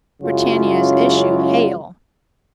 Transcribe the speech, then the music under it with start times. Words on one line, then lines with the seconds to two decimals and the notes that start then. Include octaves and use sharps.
Britannia's issue, hail!
0.23 F#2 C#3 F#3 G#3 E4 F4